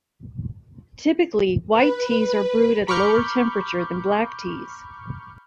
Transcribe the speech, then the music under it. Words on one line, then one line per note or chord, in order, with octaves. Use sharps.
Typically, white teas are brewed at a lower temperature than black teas.
B4
A#5 B5 C#6 D6 F6 G6